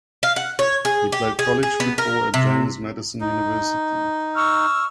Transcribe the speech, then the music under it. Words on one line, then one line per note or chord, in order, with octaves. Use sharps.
He played college football at James Madison University.
F5
F#5
C#5
G#4
G4
G#4
G#4
B3
A#4
C3
D#4
C#6 E6 F6